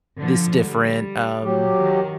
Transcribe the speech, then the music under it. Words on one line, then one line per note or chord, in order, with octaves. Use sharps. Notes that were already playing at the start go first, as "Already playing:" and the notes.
this different, um,
D3 F3
G3
F#3 G4
D#3